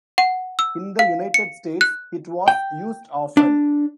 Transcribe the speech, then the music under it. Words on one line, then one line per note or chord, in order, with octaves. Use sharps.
In the United States it was used often.
F#5
E6
F5
C#7
F#6
G5
D4